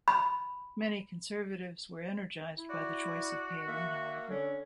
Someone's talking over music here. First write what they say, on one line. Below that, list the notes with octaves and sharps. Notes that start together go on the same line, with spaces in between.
Many conservatives were energized by the choice of Palin, however.
B5
E4
F#4 D5
A#3 E5
D3 C#4